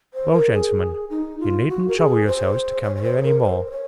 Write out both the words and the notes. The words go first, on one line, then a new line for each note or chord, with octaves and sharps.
"Well gentlemen, you needn't trouble yourselves to come here any more!"
C5
A#4
G#4
D#4
F4
F#4
A#4
G#4
C5
C#5
C#5
C5
G#4
A#4
C5
C5
C#5